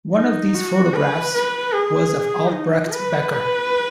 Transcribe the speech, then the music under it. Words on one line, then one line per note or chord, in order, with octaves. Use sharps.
One of these photographs was of Albrecht Becker.
D#4
F#4
B4
B4
G#4
D#4
B4
B4